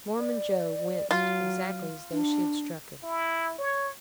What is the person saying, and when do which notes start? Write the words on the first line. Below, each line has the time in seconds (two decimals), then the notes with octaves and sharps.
Mormon Joe winced, exactly as though she had struck him.
0.19 D5
1.11 F#3 F4
2.12 D4
3.03 E4
3.59 C#5